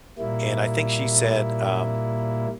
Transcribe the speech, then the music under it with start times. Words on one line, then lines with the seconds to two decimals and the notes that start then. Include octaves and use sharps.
and I think she said, um
0.19 A#2 G3 A#3 E4